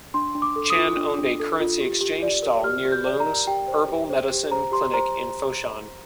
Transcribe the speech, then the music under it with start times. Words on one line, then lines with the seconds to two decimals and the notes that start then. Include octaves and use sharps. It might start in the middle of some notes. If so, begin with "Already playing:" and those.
Chan owned a currency exchange stall near Leung's herbal medicine clinic in Foshan.
0.14 D4 C6
0.35 D4
0.42 D6
0.56 A4
0.70 D#6
0.76 F4
0.97 D4
1.19 D4
1.40 A4
1.60 F4
1.81 G4
2.01 G4
2.22 D5
2.43 A#4
2.64 G4 F6
2.85 G4
2.92 G6
3.06 D5
3.20 A#5
3.26 A#4
3.47 G4 G5
3.68 C5
3.89 G4
4.10 C5
4.31 G4
4.51 C5 A#5
4.72 G4 C6
4.94 C5 A#5